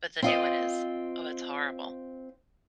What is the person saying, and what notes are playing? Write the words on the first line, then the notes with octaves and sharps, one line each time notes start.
But the new one is Oh, it's horrible.
C4 F4 D#5